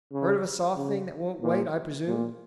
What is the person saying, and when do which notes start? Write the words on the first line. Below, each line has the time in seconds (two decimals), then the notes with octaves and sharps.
Heard of a soft thing that won't wait, I presume?
0.12 C#3
0.76 C#3
1.42 A#2
2.07 A#2